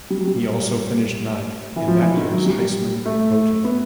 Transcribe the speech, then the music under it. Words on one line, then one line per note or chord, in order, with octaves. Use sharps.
He also finished ninth in that year's Heisman voting.
G3
F#3
G3
E3
F3
E3
D#3
F#3
G3
A3
B3